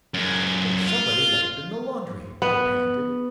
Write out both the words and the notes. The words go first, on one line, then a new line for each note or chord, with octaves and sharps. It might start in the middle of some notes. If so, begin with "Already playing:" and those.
"There's somebody locked in the laundry," I panted.
F#2 G#3
F4
B3